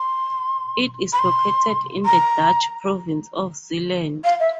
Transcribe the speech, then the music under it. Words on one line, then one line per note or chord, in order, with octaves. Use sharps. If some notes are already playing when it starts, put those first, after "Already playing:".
It is located in the Dutch province of Zeeland.
Already playing: C6
B5
C6
A#5
F5
E5